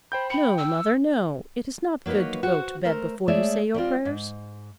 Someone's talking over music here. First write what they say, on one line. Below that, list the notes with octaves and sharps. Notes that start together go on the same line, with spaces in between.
"No, mother, no; it is not good to go to bed before you say your prayers."
C5 G5 B5 G6
G5 B5 C#7
E6
F#3 A#3 D#4 B4 C#5
F#4 C5 F#5
A3 A#4 C5 A#5
G#3 A3 G#4 C#5 D5 E5
G3 C4 F4
G#2